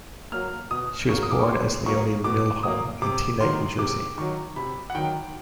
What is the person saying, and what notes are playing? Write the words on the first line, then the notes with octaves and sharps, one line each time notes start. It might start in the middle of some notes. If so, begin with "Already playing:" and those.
She was born as Leonie Milhomme in Teaneck, New Jersey.
F#3 A#3 F6
B2 D#6
F#3 A#3 C#6
D#6
D6
C#6
B2 C6
F#3 A#3 C#6
B2 D6
F#3 A#3 D#6
C3 D6
D#3 F#3 C6
C3 D6
D#3 F#3 C#6
C3 B5
F#5
D#3 F#3 G5